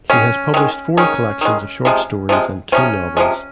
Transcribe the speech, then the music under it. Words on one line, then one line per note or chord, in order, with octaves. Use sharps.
He has published four collections of short stories and two novels.
D#3 G#3 C#4
D#3 G#3
D#3 G#3 C#4
D#3 G#3
C3 F3 G#3
C3 F3 G#3
C3 F3 G#3 C#4
C3 F3 G#3